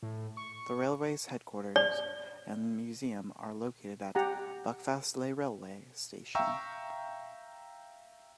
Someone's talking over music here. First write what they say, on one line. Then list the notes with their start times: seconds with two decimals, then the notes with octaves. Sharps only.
The Railway's headquarters and museum are located at Buckfastleigh railway station.
0.03 A2
0.37 C#6
1.76 D5
4.15 G4 F#5 A#5
6.35 E5 F5 G5 A#5 C#6 E6